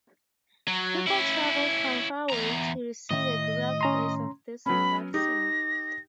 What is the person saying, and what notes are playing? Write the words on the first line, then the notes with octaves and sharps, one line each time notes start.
People travelled from far away to see the burial place of this revered saint.
F#3
C#4 E4
E2 A#5
A2 D#3 D#5 E5
C#4 A#5 C6
F#3 B3 C#4 B5
D#4 G4 A#6